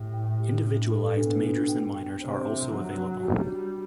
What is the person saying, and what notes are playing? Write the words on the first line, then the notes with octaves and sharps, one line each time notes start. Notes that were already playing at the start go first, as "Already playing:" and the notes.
Individualized majors and minors are also available.
Already playing: A2 G4 G5
G5
G4
D4
A4
B2 D4
D4
G5
G5
C3 C5
E5
F#3 D4
D4
G3 F#4
D4